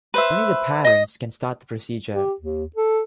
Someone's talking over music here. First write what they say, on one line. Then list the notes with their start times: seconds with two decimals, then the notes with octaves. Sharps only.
Only the parents can start the procedure.
0.14 B4 C5 E5
0.85 D#5 D#6
2.13 G4
2.40 D#2
2.76 A4